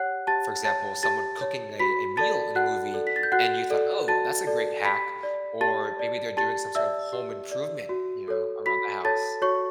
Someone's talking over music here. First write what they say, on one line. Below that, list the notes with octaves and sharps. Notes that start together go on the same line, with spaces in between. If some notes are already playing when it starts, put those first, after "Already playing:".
for example, someone cooking a a meal in a movie, and you thought, "Oh, that's a great hack," or maybe they're doing some sort of home improvement, you know, around the house.
Already playing: G4 C#5 F#5 F#6
G4 A5 A6
C#5 A5 A6
G4 A5 A6
C#5
F#4 B5 B6
A4 D5 A5 A6
F#4 F#5 F#6
A4 D5
B6
A6
G6
F#4 F#5 F#6
A4 D5
F#4 A5 A6
A4 D5
G4 B5 B6
D5
G4 A5 A6
D5
G4 A5 A6
D5 E5 E6
G4
D5
F#4
A4 C#5
F#4 B5 B6
A4 C#5 A5 A6
F#4 C#5 C#6